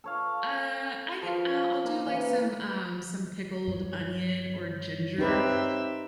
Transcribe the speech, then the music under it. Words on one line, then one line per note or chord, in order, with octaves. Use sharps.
uh, I get I'll I'll do like some, um, some pickled onion or ginger.
A4 C#5 F5
F3 F4
A#3
C#3 E3
G2 G3 C#5
C4 D#4 G4 B4 E5